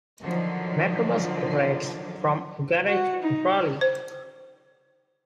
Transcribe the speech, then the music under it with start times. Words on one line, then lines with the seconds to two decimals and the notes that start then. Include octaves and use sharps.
Metrobus operates from a garage in Crawley.
0.24 D3 D#3 F3 F#3
2.87 F#4
3.22 D#4
3.81 C5